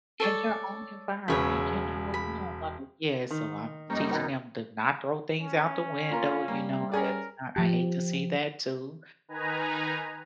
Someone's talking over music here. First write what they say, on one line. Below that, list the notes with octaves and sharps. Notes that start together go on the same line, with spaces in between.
In your own environment, you know, you don't wanna yeah, so I'm teaching them to not throw things out the window, you know, that's not I hate to see that too.
A4 C#5 D5
E1 C#3 B4 C#5 E5
B5
D#3
F#2 G3 A#3 C#4 D#4
B2 D#3 B3
C#4
A#3 F4 A#4
G3 A#3
C#4 G#4 A#4 D5
F3 G4
D#3 D#4 B4 G#5 A#5